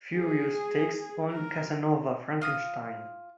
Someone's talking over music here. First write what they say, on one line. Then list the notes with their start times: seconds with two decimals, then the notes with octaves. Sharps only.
Furious takes on Casanova Frankenstein.
0.17 G#4
1.31 A#4
2.41 F4 D#6